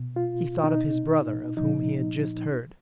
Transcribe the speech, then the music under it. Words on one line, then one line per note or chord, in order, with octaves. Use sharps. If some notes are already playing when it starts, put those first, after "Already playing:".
He thought of his brother, of whom he had just heard.
Already playing: B2
F4
B2 D#4
A#2 F3 D#4